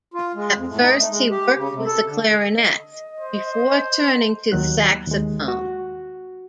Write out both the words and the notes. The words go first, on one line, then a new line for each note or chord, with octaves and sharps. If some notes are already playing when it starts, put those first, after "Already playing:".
At first he worked with the clarinet, before turning to the saxophone.
F4
G#3
F2
A2
D#4
A3
G#3
G4
C#3
C3
A4
D3
D#5
C5
D#2 D#3 F#3 F#6
D#2 G#3
F#4